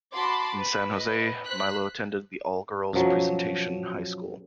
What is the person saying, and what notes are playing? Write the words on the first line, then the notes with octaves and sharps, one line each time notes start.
In San Jose, Milo attended the all-girls Presentation High School.
F#4 A5 B5 C6 D6
B4
B4 D#5
C5 F#6 B6
F#2 B2 F3 F#3